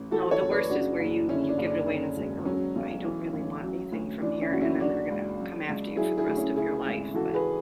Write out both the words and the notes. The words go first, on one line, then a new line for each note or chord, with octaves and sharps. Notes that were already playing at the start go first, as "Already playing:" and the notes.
No, the worst is where you you give it away and it's, like, "Oh, I don't really want anything from here," and then they're gonna come after you for the rest of your life, but
Already playing: A1
E3 F#4 A4
A4 C#5
F#1
B4 D5
C#3 D4 F#4
F#1
D3 C#4 E4
D4
F#1
D4
D3 C#4
E1
F#3 C#4
B1
E3
A1
F#3
D2
E3 D4
C#4 E4
F#1 F#4
C#4 E4
F#3 D4 F#4
C#2
F#3
C#2
F#3 E4 G#4
E4 G#4
D2
C#4 E4
C#3 E4 G#4
G#1
E3 F#4 A4
G#4 B4